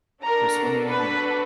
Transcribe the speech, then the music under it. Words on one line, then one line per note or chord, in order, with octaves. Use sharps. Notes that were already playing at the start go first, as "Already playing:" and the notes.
go swimming, or
D4 F#4 A4 A#4 A#5
B4 B5